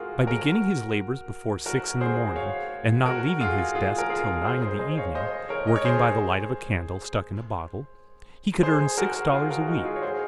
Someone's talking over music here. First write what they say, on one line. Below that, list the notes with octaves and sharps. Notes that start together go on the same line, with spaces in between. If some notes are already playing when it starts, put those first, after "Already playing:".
By beginning his labors before six in the morning, and not leaving his desk till nine in the evening, working by the light of a candle stuck in a bottle, he could earn six dollars a week.
Already playing: F4 F#4 G#4 A#4
F#4 A#4
F#4 A#4
G#4 C5
C#5 F5
F#4 A#4
F4 G#4
F4 G#4
A#4
F4 G#4
A#4
G#4 C5
G#4 C5
C5 D#5
C#5 F5
C5 D#5
A#4 C#5
D#5
C#5
G#4 C5
G#4 C5
F#4 A#4
F4 G#4
F#4 A#4
D#4 F#4
F4 G#4
C#5
G#4 C5